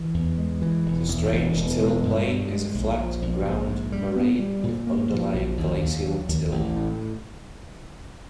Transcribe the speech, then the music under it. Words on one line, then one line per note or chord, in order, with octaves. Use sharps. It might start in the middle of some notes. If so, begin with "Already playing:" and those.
The Strange Till Plain is a flat ground moraine with underlying glacial till.
Already playing: E3
E2
G#3
E3
E1
E2
E1
E1
G#3
G2
G2
G#3
A#1
F3
A#1
A#1
G#2
G3
B3
G3
A#2
A#3
F3
A#1
D#2
D#2
F#3
D#2
A1
A2